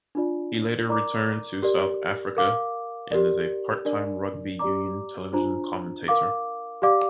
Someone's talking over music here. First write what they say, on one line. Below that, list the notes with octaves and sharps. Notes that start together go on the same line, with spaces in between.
He later returned to South Africa, and is a part-time rugby union television commentator.
D4 F4 D5
A#4 D5 A#5 D6
G4 A#4 D5
A#4 F5 D6
G4 A#4 D5
D4 A#4 D5
G4 D5 A#5 D6
D4 F4 C5 A#5
A#4 F5 D6
G4 D5 F5 D6